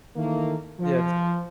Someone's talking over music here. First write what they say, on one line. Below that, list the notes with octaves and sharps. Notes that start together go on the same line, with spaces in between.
Yeah, t
D#3 E3 A3 A#3
F3